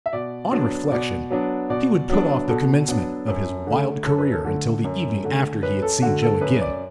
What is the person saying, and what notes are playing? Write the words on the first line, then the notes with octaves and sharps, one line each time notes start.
On reflection, he would put off the commencement of his wild career until the evening after he had seen Joe again.
E5
B2 D5
F#3 B3 D4
B2 D5
F#3 B3 D4
B2 D5
F#3 B3 D4
B2 A4
F#3 B3 D4
F#2
D3 A3
F#2 A4
B4
A4
D3 A3
F#2
D3 A3
F#2 B4
A4
D3 A3 F#4
A4
F#2 B4
D5